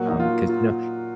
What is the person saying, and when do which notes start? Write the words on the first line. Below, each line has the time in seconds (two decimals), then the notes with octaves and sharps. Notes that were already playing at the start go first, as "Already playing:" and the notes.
um, 'cause, you know,
Already playing: A#2 F#3 A#3 F#4
0.08 D#4
0.20 F4
0.49 F4